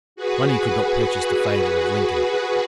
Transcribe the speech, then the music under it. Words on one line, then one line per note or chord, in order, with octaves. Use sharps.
Money could not purchase the favor of Lincoln.
F#4 G#4 B4